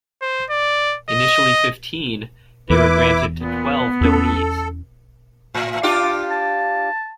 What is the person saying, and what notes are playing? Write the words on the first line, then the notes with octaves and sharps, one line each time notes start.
Initially fifteen, they were granted to twelve donees.
C5
D5
D#5
E2 E4 B4 D6
A#2 B3
E2 C#4 A4
A2
D4 F4 G4 D6
A5